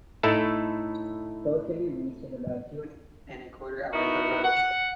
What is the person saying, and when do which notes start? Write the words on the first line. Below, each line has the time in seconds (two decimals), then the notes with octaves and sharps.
Both can be reached in about two and a quarter hours by road.
0.23 A2 A3 D#4 E4 A4 A5
3.93 B3 D#4 E4 F#4 A#4
4.43 F#5